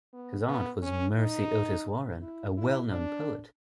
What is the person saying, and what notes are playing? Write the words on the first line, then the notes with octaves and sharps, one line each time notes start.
His aunt was Mercy Otis Warren, a well-known poet.
B3
B3
C#4
D#4
E4
E4
D4